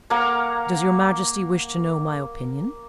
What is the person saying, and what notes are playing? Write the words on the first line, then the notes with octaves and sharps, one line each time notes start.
"Does your majesty wish to know my opinion?"
A#3 F5 F#5 A#5